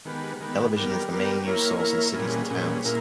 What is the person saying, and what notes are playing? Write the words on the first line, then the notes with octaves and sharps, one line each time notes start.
Television is the main news source in cities and towns.
D#3 G#3 B3 G4 B4
D#3 G#3 B3 G4 B4
G3 B3 G4 A#4
G3 B3 G4 A#4
A#3 E4 A#4 C#5
A#3 E4 A#4 C#5
A#2 G3 C#4 G#4 B4
A#2 G3 C#4 G#4 B4
A#2 A#3 E4 A#4